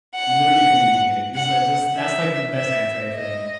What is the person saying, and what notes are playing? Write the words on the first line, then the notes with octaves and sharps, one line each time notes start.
Literally communicating, this, uh this that's, like, the best answer, I think.
F#5
F#5
E5
E5
D#5